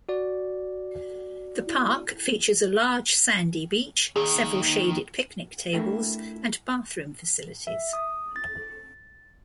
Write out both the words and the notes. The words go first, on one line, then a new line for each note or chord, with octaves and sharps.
The park features a large sandy beach, several shaded picnic tables and bathroom facilities.
F#4 D5
D#2 D#3 G#4
A3 D4 E4 G4 A4 A#4
E5
D#6
A6